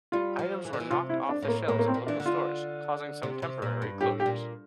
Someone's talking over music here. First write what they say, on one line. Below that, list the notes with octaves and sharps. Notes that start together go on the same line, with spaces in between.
Items were knocked off the shelves at local stores, causing some temporary closures.
G3 F4
F3
E3
D3
E3
C3 F4
E4
D4
A2
A#3
A2 A#3
A#3
C4
A#2
E3 D4
D3
F4
C3
C3
A#2
G2
A2 G4
G4
A#2